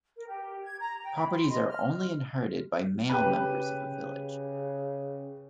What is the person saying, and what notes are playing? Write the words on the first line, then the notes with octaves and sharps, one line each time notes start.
Properties are only inherited by male members of a village.
A#4
G4
G#6
A#5
G5
B5
C6
D#5
F6
C#3 G4 B4